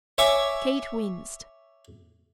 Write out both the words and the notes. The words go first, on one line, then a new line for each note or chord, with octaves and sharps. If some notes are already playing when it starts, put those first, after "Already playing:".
Kate winced.
C#5 E5 G#5 C#6 D6